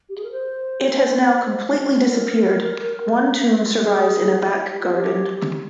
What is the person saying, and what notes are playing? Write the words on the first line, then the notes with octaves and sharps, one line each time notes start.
It has now completely disappeared; one tomb survives in a back garden.
G4
G#4
A#4
C5
C5
A#4
G#4
G4
F4
G4